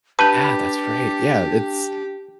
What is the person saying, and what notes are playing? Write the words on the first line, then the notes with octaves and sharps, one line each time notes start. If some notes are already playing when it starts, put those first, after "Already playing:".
Yeah, that's right, yeah, it's
D4 G4 B4 A5 G6